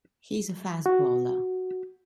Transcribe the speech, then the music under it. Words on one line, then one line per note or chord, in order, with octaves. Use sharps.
He is a fast bowler.
F#4